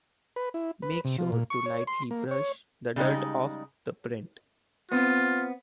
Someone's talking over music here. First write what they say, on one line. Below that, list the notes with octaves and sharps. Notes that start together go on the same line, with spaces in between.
Make sure to lightly brush the dirt off of the print.
B4
E4
B4
C3
F3
A#2
C#6
C#5
C6
A#3
C#5
C#3 G3 G#3 D#4
B3 C4 F4